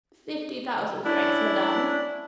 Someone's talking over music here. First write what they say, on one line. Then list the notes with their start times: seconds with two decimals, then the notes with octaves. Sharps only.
"Fifty thousand francs, madame."
1.06 C#4 D4 E4